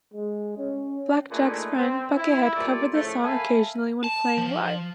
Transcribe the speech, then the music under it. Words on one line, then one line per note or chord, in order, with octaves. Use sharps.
Jack Black's friend Buckethead covered the song occasionally when playing live.
G#3
C#4
A#2 A3 D4 D#4 G#4 B4
C4
E4
A#2 G3 A3 D5
A2 C#3 F3 A3
A4 A#4 E5 F5 G#5 B5
A5
F3